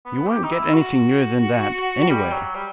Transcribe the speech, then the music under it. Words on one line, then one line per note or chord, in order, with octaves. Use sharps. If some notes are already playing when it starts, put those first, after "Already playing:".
You won't get anything newer than that anywhere.
B3
G4
D#4
E4
F#4
G3
F#3
G3